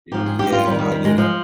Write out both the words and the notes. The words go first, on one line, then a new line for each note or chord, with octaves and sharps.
You yeah, I get it.
G#2 F3 G4
G#4
G4
F4
F2 G3
D#3
G3
G3
G#3
F3 G#3